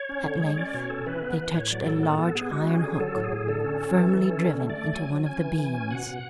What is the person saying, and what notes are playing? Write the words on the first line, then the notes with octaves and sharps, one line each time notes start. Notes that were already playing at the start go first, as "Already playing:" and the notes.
At length, they touched a large iron hook, firmly driven into one of the beams.
Already playing: C#5
C#4
D3
G#3
C#4 D5
B2 C#5
C#4 A4
E3 B4
B3
E3
A2 C#5
F#3 D5
A2 A4
B3 A4
B3 A4
B3 G#4
G#3 F#4
C#4
G#4
D3
F#3 A4
A2
G#4
A2
D3 A4
C#4
C#4
E3
E3
C#4
D3
A3
D5
A3
F#3 G#5
F#3
C#4 G#5
E3 G#5
E3
C#4
B2 F#5
B2